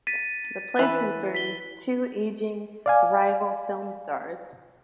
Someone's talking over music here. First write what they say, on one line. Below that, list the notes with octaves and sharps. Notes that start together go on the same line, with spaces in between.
The play concerns two aging rival film stars.
A6 B6 D#7
E3 B4
B6 G7
D5 F5 G#5